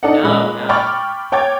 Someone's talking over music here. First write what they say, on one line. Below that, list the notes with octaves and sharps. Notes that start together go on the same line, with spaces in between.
No, no.
D4 D#4 A4 D5 D#5 F#5
A#2 G#3 C#4 D#5 B5 F#6
G5 B5 C#6 D6 F6 A6
C#5 G5 D6 G#6 A6